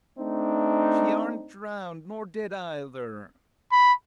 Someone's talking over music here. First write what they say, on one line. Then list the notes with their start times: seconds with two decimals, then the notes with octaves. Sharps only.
She arn't drowned; nor dead eyther!
0.19 A3 C4 D4 D#4
3.72 B5